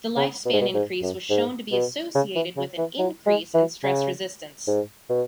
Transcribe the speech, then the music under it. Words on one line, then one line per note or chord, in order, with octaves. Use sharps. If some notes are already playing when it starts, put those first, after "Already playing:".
The lifespan increase was shown to be associated with an increase in stress resistance.
C#3
B2
G#2
B2
G#2
F#2
G#2
B2
C#3
E3
C#3
E3
F#3
G#3
E3
C#3
G#2
B2